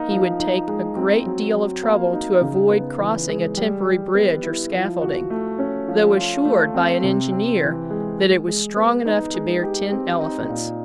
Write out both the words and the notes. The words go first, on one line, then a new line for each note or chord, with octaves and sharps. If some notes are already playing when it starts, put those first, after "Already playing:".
He would take a great deal of trouble to avoid crossing a temporary bridge or scaffolding, though assured by an engineer that it was strong enough to bear ten elephants.
Already playing: A#3 D#4
F3
D#4
G#3
C4
F#3
F#3
A#3
D#4
C#3
B3
E3
G#3
G3
G4
B3
E4
F3
F#4
A3
C#4
F3
F4
A3
C4
C3
C4
E3
G#3
G#3
G#3
B3
D#4
G#3
G4
C4
D#4
A#2